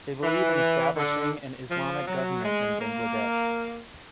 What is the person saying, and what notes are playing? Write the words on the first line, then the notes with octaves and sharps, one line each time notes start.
They believe in establishing an Islamic government in Bangladesh.
E3
D3
F3
F#3
G#3
A#3